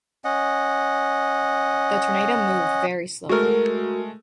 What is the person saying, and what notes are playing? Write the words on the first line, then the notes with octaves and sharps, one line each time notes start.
The tornado moved very slowly.
C#4 D#5 F#5
G#3 A3 F#4 A#4